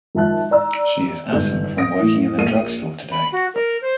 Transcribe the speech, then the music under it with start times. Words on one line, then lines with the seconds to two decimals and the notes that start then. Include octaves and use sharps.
She is absent from working in the drug store today.
0.15 G#1 F3 E5 A5 F#6
0.51 D5 A#5 E6
1.33 G1 G#2 G6
1.78 D#6 A#6 D7
1.99 A2 E3
2.38 A#1 A#3 D#7
3.11 B5
3.32 F#4
3.54 A#4
3.81 C5